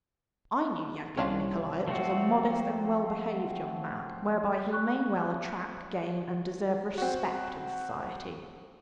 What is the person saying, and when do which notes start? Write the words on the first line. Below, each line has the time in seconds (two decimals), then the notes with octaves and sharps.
I knew Yevgeny Nikolaitch as a modest and well-behaved young man, whereby he may well attract, gain and deserve respect in society.
1.18 C2 C#4 D4 F4
1.88 F3 A3 C4 F#4
4.73 C#6 F#6
6.98 C4 F#4